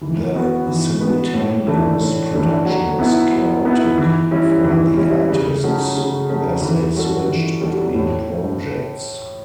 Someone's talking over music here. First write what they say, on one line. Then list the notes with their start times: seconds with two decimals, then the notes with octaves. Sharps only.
The simultaneous production was chaotic for the artists, as they switched between projects.
0.01 E3
0.35 B3 F#4 B4
0.67 E3
1.00 B3 F#4 B4
1.33 A2
1.67 E3 A3 D4
2.00 A2
2.32 E3 A3 D4
2.65 F#3
2.99 B3 E4
3.32 F#3
3.65 B3 E4
3.98 E3
4.31 G3 C#4 E4
4.64 E3
4.96 G3 C#4 E4
5.30 C#3
5.63 F#3 A3 C#4
5.96 C#3
6.29 F#3 A3 C#4
6.62 E3
6.95 G3 C#4 F#4 A4
7.28 E3
7.60 G3 C#4 F#4 A4
7.94 A2